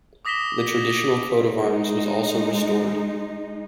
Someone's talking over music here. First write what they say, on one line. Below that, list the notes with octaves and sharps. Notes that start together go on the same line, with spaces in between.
The traditional coat of arms was also restored.
D6 D#6 A#6 B6 E7 G7
G#3 D#4